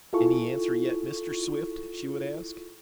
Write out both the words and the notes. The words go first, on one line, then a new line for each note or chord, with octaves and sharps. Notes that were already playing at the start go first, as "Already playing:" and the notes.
"Any answer yet, Mr. Swift?" she would ask.
E4 F4 G#4 A4 C#6